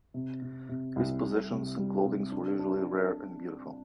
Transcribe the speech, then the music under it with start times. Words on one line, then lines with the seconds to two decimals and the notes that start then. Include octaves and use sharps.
His possessions and clothings were usually rare and beautiful.
0.14 C3
0.42 C3
0.69 C3
0.96 C2
1.23 G3
1.51 C3
1.78 G3
2.05 C3
2.32 D4
2.59 D4